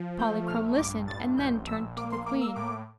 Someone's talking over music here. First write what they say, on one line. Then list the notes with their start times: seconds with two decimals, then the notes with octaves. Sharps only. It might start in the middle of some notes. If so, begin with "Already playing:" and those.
Polychrome listened and then turned to the Queen.
Already playing: F3
0.19 A3 G6
0.48 A#1 F6
0.78 G2 D6
1.08 A1 A6
1.37 A#1 G6
1.67 A#1 E6
1.97 A#3 D6
2.12 C6
2.26 A#3 D6
2.41 E6
2.56 A2 D6